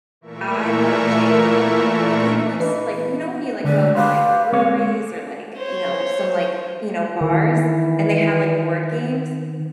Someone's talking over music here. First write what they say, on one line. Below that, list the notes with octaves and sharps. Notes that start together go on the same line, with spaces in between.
I love Jenga. Like, even, like, s like, you know, when you, like, go to, like, breweries, or, like, you know, some, like, you know, bars, and they have, like, board games?
A#2 E3 A3 A#4 E5 C#6
E3 B4 D#5
B3
D3 G#3 A3 D5
G4 B4 C5 F5
G#3 C4 C#5
C5 C#5
D#3 E3